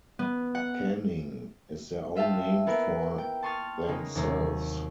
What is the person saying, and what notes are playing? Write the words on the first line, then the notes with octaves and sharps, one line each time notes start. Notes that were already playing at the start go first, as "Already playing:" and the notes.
"Caning" is their own name for themselves.
B3
F#5
F4 E5 F5 G5 A5
A#3 B3 E4 A#4
G5
A5 C6 C#6 D#6 F6 A6
C#3 G#3 A#3 D#4
D#2 C3 F#3 A#3